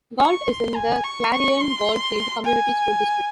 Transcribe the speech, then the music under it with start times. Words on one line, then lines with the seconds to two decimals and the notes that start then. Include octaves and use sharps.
Galt is in the Clarion-Goldfield Community School District.
0.20 C#6
0.48 C6
0.75 G#5
1.04 C#6
1.32 C#6
1.61 C6
2.44 G#5